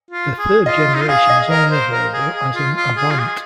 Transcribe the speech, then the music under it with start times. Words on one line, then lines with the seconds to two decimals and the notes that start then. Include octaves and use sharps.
The third generation is only available as an Avant.
0.11 F4
0.39 G#4
0.66 F4 D#5
0.94 D#4
1.01 F4
1.09 G#4 F5
1.30 D#5
1.50 A#4 D#5
1.71 C5
1.93 A#4
2.14 G#4
2.34 G#4
2.55 F4
2.76 F4
2.97 G#4
3.11 F4
3.19 G#4